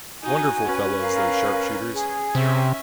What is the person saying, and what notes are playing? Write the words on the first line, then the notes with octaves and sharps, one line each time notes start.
Wonderful fellows, those sharpshooters!
D#4 F#4 G#5
C#4 B4
A#4 F5
G#4
C3 C#4 E5